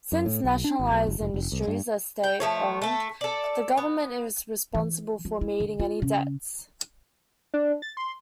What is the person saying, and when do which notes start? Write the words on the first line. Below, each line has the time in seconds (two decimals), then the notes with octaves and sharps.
Since nationalized industries are state owned, the government is responsible for meeting any debts.
0.12 F#2
0.26 A2
0.44 B1
0.64 D4
0.79 G#1
0.91 B1
1.07 F#1
1.20 F1
1.34 F1
1.52 C2
1.68 G2
2.24 G5
2.40 F3 A3 C#5
2.82 A3 A4
3.21 A4 D5
3.77 B3
4.75 E3
5.25 F3
5.41 E4
5.60 D3
5.80 F4
6.02 C#3
7.54 D4
7.82 A6
7.97 C6